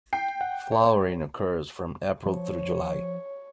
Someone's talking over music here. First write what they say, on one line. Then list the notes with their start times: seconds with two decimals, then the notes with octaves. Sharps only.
Flowering occurs from April through July.
0.13 G5 C7
0.41 F#5
0.72 C#5
2.26 F3 C#5